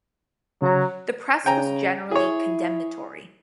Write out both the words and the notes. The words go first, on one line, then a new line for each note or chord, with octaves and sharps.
The press was generally condemnatory.
C#3 F#3 A#5
C#3 G5 G#5 A#5
E4 G#4 C#5